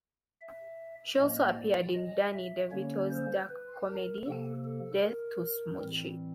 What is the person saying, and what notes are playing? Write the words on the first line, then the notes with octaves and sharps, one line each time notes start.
She also appeared in Danny DeVito's dark comedy, "Death to Smoochy".
E5
A2 F3 A#3 D#5
D5
D#5
E5
D3 G3 A#3 C#4 C#5
C5
B4
A#4
C3 F3 A#3 A4
A4
A#4
A2 E3 G3 C4